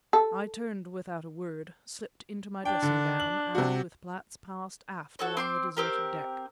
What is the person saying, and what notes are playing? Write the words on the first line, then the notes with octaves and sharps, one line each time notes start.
I turned without a word, slipped into my dressing-gown, and with Platts passed aft along the deserted deck.
A4
D4 G5
D3
F#7
C3 F#4
F#4 A4 C#5
C4 C6 D6
C4 G4 A#4